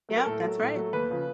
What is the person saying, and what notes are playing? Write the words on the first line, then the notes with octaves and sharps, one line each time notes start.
Yeah, that's right.
F#3 A3
A#4
A2 A4
F#3 A3
A2
F#3 A3
D#2 B4
C#3 F3